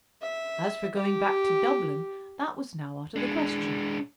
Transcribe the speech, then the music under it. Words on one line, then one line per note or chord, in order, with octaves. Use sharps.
As for going back to Dublin, that was now out of the question.
E5
G4
G#3 D4